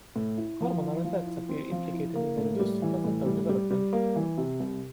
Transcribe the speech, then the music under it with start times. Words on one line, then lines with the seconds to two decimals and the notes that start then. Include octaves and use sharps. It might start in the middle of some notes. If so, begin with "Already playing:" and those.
Hormonal effects appear implicated in the reduced placental development.
0.16 A2
0.37 E4
0.61 F3
0.82 E4
1.04 F3
1.26 E4
1.49 C4
1.71 F3
1.93 E4
2.15 A#3
2.38 A2
2.60 G3
2.82 E3
3.04 A2
3.26 G3
3.49 G3
3.71 G3
3.93 A#3
4.16 E3
4.38 C3
4.60 C2